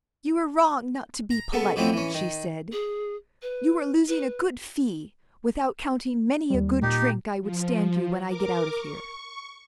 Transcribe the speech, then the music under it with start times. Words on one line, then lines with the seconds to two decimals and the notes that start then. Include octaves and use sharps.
"You are wrong not to be polite," she said; "you are losing a good fee, without counting many a good drink I would stand you when I get out of here."
1.31 A#5
1.52 C#3 B3 A4 C#6
1.76 B2 E3 F3 A3 C4 C#4
1.92 E3 C#4
2.14 D#3
2.72 G#4
3.42 B4
4.08 B4
6.50 D#2 G3
6.82 A#2 D#4 G4
7.42 F3
8.26 A#4 D6
8.74 C#6